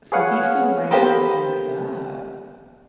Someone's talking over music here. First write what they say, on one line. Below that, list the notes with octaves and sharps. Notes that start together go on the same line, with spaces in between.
So, he's still ramping things up.
G#4 B4 C#5 F5 F#5 G#5
A#3 B3 G4 A4 C5